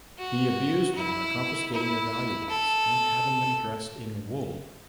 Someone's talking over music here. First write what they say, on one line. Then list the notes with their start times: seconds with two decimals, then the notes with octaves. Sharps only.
He abused them by confiscating their valuables and having them dressed in wool.
0.19 F#4
0.95 E4
1.73 E4
2.50 A4